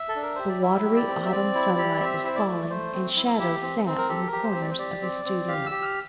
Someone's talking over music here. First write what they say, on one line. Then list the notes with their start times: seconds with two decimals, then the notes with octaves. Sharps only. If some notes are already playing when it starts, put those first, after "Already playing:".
The watery autumn sunlight was falling, and shadows sat in the corners of the studio.
Already playing: E5
0.09 A4
0.16 D4
0.23 A#4
0.35 G4 C5
0.49 D5
0.62 E4 E5
0.85 G4
0.96 D5
1.08 C4
1.25 E5
1.32 C4 D5
1.55 E4
1.78 G4
2.01 C4 E5
2.24 E4 C5
2.36 D5
2.47 A3
2.70 A3 C5
2.94 C4
3.16 E4
3.40 G4
3.62 C4
3.86 C4
3.98 A#4
4.09 G4 A4
4.27 A#4
4.32 G4
4.44 C5
4.55 C4
4.62 D5
4.70 C5
4.79 G4 D5
5.02 C4
5.25 C4
5.48 G4 F5
5.66 E6
5.71 G4
5.82 F6